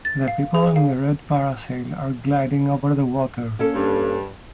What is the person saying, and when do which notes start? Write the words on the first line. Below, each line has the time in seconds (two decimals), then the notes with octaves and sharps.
The people in the red parasail are gliding over the water.
0.05 A6
0.28 F5
0.55 G#4
0.76 F5
3.59 A#3 C#4 A4
3.75 G2